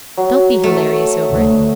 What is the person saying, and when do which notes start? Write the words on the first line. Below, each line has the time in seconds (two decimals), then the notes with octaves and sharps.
'Don't be hilarious over it.'
0.17 F#3
0.63 A3
1.29 D2